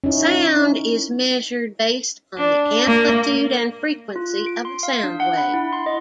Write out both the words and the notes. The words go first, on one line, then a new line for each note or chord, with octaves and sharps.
Sound is measured based on the amplitude and frequency of a sound wave.
C#4 D#4 E4
D4
A#3
F4
D7
C6
F5
D4
F#5
B5
E4
C6
D#5